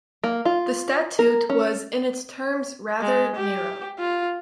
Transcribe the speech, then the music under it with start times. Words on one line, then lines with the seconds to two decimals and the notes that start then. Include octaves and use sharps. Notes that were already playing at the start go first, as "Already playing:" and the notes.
The statute was in its terms rather narrow.
0.24 A#3
0.45 F4
1.19 A#4
1.50 C#4
3.01 G#3
3.36 G4
3.99 F4